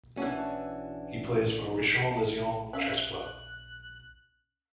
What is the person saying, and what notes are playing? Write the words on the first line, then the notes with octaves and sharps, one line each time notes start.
He plays for Rishon LeZion chess club.
E3 C#4 D4 F#4
C#4 E5 F5 F#6